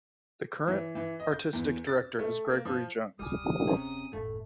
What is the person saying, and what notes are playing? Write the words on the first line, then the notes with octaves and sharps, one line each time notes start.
The current Artistic Director is Gregory Jones.
E3
E3
D#5
G6
E2
A6
A3
A#3
F3
F1 D2 G3 G#5 D6 D#6 F6
C3 C#4 G#4 A#5
F#1 D#2 A2 A3